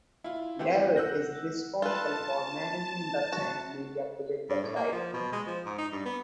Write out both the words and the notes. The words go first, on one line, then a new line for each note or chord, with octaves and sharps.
David is responsible for managing the China Media Project website.
E4 F4
E3 A3 B3 C4 G4
F#5 E6 F#6 G6 A#6
F4 A4 B4 A5
F#4
G2
A2
A#3
F3
B2
G#3
F3
G#2
D#4
G2
B3